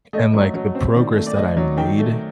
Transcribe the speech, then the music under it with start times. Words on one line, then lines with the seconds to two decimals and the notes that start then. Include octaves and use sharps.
and, like, the progress that I made
0.13 A3 D#5
0.34 F#3
0.54 F#3
0.75 C4
0.95 D#3 D5
1.16 A3
1.27 D5
1.37 A3 D#5
1.57 F#3
1.77 D#3 G5
1.99 A3